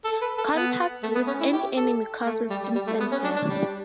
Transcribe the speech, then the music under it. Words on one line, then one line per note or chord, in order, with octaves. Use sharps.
Contact with any enemy causes instant death.
A4
B4
A4
B3
A3
B3
C#4
E4
G4
A4
A3
G3
G3
G3
A3
B3
C#4
D4
D4
G3